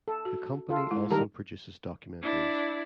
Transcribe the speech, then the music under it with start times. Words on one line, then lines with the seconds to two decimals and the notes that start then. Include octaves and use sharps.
The company also produces documentaries.
0.08 A4
0.25 F#4
0.70 F4 A4
0.91 G#3 E4
1.11 D#3 G3 G4 A#4 A5 A#5
2.22 D4 E4